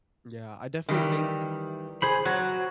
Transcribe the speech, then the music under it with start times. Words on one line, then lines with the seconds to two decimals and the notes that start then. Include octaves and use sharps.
Yeah, I definitely think
0.89 D#3 E3 G3
2.02 G#4 C5 B5
2.25 F#3 F#4